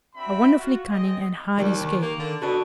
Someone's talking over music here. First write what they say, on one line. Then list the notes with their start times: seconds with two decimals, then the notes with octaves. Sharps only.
A wonderfully cunning and hardy scheme!
0.15 C4 D4 F#4 E5 B5
0.57 F4 F#4
0.88 C4 G#4 D#5
1.59 D#2 G3
1.81 D#3
2.02 A#3
2.20 D3
2.42 B2 D4 F#4 A4